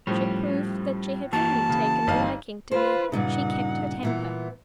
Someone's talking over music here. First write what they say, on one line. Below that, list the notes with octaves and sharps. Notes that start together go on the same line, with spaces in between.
She proved that she had really taken a liking to me: she kept her temper.
A2 F3 G3 C#4
E3 A#3 F#4 A5
C#3
G1 D#4 F5
F4 B4 C5
G2 A#2 C#3 D#4 F#5
A#2 E3 B3